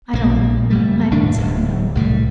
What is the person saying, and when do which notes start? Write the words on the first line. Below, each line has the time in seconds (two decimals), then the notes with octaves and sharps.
"I don't know, I don't know."
0.13 A#1 A#3
0.70 F#1 G3 A3
1.11 E1 D#2 A2 D4
1.37 D1
1.95 C2 A2 G3